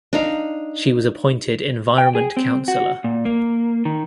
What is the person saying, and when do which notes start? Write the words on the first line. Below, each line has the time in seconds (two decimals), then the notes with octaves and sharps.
She was appointed environment counselor.
0.13 D4 D#4 F5
1.98 G5
2.15 G#4
2.37 C4
2.68 F#4
3.04 A#2
3.25 A#3
3.85 D#3